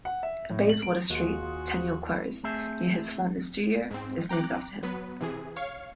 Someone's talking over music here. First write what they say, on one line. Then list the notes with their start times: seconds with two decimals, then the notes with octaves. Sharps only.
A Bayswater street, Tenniel Close, near his former studio, is named after him.
0.05 F#5
0.23 E5
0.50 A2
0.69 F#7
0.82 D7
1.10 D#2 F4 F#4 G#4
2.44 A3 C4 G#4 E5
3.91 G#2 C4
4.29 G5 A#5 D6 F#6
4.83 F#3 B3 B4
5.21 C3 E3 G#4
5.56 C#5 F5 C#6